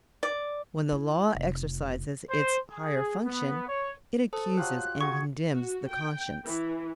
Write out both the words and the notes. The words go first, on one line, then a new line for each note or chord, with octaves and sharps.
When the Law exercises its higher function it accuses and condemns the conscience.
D5
E4
F1
C5
G#4
B3
C#5
A4 C5 A5 D#6
F#3 F4 G4 F#6
F#4 G#4 C#6 G#6 C#7
F#4
G5
E3